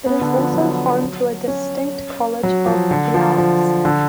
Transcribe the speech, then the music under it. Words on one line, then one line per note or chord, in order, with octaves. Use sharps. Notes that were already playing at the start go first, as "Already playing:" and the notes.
It is also home to a distinct College of the Arts.
B3
D3
F3
F#3
C#4
F#3
F3
D3
F3
F3
D3